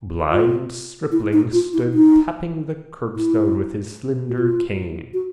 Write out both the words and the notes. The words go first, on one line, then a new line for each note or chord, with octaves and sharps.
A blind stripling stood tapping the curbstone with his slender cane.
F4
E4
D#4
F4
E4
D#4
E4
F#4
F4
F#4